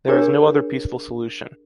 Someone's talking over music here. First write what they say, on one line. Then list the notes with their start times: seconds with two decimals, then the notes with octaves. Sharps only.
There is no other peaceful solution.
0.08 D4 G4 G#4 A#4 C#5